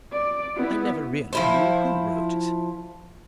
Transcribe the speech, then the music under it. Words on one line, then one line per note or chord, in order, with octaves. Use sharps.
"I never really knew who wrote it."
D5
B3 E4
F3 E4 C5